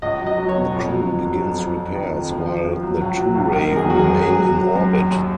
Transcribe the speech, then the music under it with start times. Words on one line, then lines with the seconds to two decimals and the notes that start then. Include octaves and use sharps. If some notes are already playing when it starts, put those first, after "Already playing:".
The crew begins repairs while the Turei remain in orbit.
0.02 C#2 D#5
0.20 F#3
0.26 D#5
0.38 F#3
0.49 C#5
0.56 B2
0.72 F2
0.91 F#3
1.08 F2
1.25 F#3
1.42 F2
1.60 F2
1.77 F2
1.95 D#3
2.13 F2
2.30 F3
2.48 F3
2.65 F3
2.83 F#3
3.01 C#2
3.17 F#3
3.35 C#2
3.52 D#3 A#4
3.70 F#2
3.76 G#4
3.87 F#3 F#4
3.99 G#4
4.05 F#2
4.22 F#3 G#4
4.40 F#3
4.57 F#3
4.75 F#2
4.93 D#2
5.11 D#2